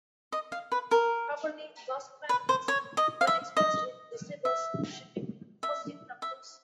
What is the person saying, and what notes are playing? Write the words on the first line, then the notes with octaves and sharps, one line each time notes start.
Properly, loss quantities, when expressed in decibels, should be positive numbers.
D#5
F5
B4
A#4
B4
C5
C#5
D#5
F5
E5
D#5
E5
E5
E5